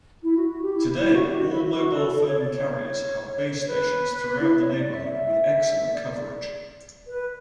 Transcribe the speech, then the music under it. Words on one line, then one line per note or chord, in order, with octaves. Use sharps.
Today, all mobile phone carriers have base stations throughout the neighbourhood, with excellent coverage.
E4
F#4
F#4
G4
E4
E4
E4
F#4
G4
F#4
E4
F#4
F#4
A4
A4
C#5
D5
C#5
C#5
B4
E4
C#5
D5
E5
E5
D5
D5
B4